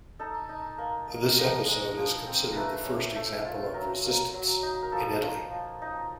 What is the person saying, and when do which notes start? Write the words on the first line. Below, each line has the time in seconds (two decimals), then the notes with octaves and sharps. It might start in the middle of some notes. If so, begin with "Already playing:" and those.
This episode is considered the first example of Resistance in Italy.
0.19 D#4 A4
0.49 D#4
0.78 A#3
1.08 A#3
1.38 F3 A#4
1.67 G#3
1.97 F3
2.26 C4
2.52 A3 A#4 B4
2.85 C#4
3.15 A3
3.45 F4
3.74 F#3 A#4
4.04 A#3
4.34 F#3
4.63 D#4
4.83 A#4
4.92 F3 A4
5.22 A#3
5.51 F3
5.82 D#4